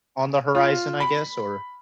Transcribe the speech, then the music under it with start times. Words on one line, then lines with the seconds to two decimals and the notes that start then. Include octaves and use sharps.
on the horizon, I guess? Or
0.55 F4
1.00 B5